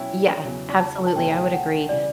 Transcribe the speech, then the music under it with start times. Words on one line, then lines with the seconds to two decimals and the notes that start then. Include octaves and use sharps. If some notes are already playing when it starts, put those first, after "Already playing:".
Yeah. Absolutely. I would agree.
Already playing: B2 F#3 C#4 E4 G5
0.44 E2 C#3 F#3
0.80 A5
1.07 A5
1.16 C#2 B2 A3 C#4 E4 G5
1.53 F#5
1.89 C#3 E3 G3 D5